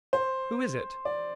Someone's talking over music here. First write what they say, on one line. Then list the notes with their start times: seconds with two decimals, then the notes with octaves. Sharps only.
"Who is it?"
0.13 C5
1.05 D5